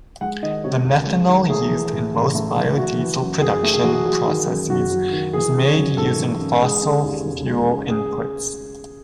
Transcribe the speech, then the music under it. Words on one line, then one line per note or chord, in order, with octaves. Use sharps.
The methanol used in most biodiesel production processes is made using fossil fuel inputs.
G#3 F#5
D#3 D#5
C3 C#5
C#2
G#3
D#3
A3 G#4
E3
A2
A1
A3
E3
A3 F#4
E3
F#2
F#1 G#4
A3
G#4
E3 F#4
G#4
F#3 G#4
D#3
F#2
F#1 F#4
F#3
D#3
E3 G#4
C#3
C#5
F#2
G#1 A4
E3
C#3
G#3 G#4
C#3
D#2
E1
G#3
C#3
G#4